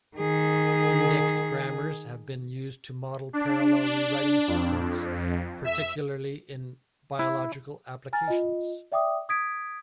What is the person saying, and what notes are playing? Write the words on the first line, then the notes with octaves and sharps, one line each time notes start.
Indexed grammars have been used to model parallel rewriting systems, particularly in biological applications.
D#3 G#4
D4
D4
F2
E5
E4
G#5 A#5 F6 A6
F4 D#5
D5 E5 G5 D6 D#6
D#6 G#6 B6 D7